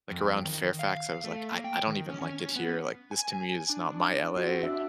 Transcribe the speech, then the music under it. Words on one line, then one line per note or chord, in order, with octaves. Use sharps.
Like, around Fairfax, I was like, "I I don't even like it here," like, "this to me is not my LA,
F2
D#3
F5
A3
A#3
G5
D#3
C#4
C#4
C#4
B3
G#5
D4
C4 F#4
D4 E5